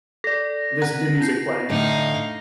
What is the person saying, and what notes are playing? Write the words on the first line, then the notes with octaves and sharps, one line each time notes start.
this the music playing,
A4 D5 A#6
F#5 A#5 F#6
E4 G6 C7
A2 D3 D#4 F5